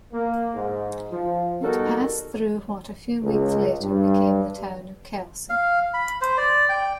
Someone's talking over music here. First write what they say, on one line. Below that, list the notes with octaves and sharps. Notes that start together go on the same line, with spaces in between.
It passed through what a few weeks later became the town of Kelsey.
A#3
G#2
F3
B2 G3 D#4 F#4 A4 A#4
C#2
G2
F5
B5
C5
D5
G5